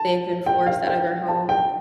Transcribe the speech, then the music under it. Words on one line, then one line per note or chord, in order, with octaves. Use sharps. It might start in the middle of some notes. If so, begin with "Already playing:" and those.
they've been forced out of their home.
Already playing: A5
G5
F5
G5
A5
G5